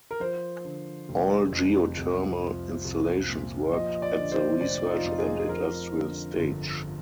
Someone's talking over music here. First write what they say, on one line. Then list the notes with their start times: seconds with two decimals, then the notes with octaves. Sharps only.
All geothermal installations worked at the research and industrial stage.
0.11 A#4
0.20 F3 C5
0.65 D3
1.09 F1
1.52 F2
1.97 C2
2.41 F3
2.85 C2
3.29 A#2
3.72 F3 D#5
4.02 D5
4.17 D3
4.32 C5
4.61 F1 D5
4.85 D#4
4.90 F4
5.04 F2
5.19 G#4
5.39 G#4
5.48 F3 A#4
5.93 D3
6.37 G1